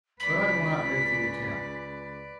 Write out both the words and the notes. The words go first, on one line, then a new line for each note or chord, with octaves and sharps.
But I will not make the attempt.
C#2 B4 D5 B6